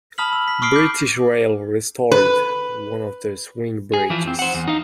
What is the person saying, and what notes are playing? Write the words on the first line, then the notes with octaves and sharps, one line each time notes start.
British Rail restored one of the swing bridges.
A5 B5 D#6 F6 B6 F#7
E6
B6
C#6 D#6 F6 B6 C7 D7
D6 G6
B4
G#4
E3 F3
F2 C4
C5 F#5
E2
D#4 F5